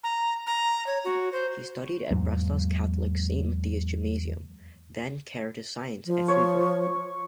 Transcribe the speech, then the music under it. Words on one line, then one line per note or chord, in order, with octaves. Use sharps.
He studied at Breslau's Catholic St.-Matthias-Gymnasium, then Caritas Science at Freiburg.
A#5
A#5
C#5
F#4
C5
E2 G#2 F#3 A#3
F3
C#5